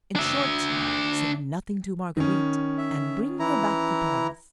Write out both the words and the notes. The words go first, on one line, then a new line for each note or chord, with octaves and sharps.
In short, say nothing to Marguerite, and bring her back to Paris.
D4 E5
D#3 C#4
E5
E3 E4 A#5